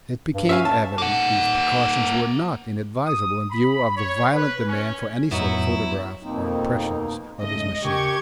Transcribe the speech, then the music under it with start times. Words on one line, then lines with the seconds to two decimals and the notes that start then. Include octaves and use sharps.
It became evident these precautions were not inadvisable in view of the violent demand for any sort of photograph or impressions of his machine.
0.34 G2
0.49 C#4 E5 F5 G#5
0.65 A5
0.98 A#3 F#5
3.04 D#6
3.50 B5
3.96 C#5
4.33 B4
4.67 C#4
5.31 F2 A2 F#3 B3 D#4 E4 F#4
6.23 F2 B2 A#3 C4 D#4
7.42 G#2 C#3 A3 D#5
7.85 C#3 G4 A#4 C#6 G#6